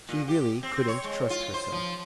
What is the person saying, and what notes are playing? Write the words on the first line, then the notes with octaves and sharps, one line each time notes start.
She really couldn't trust herself.
A#2
G4
C4
C#5
G#3
F4
C5
F3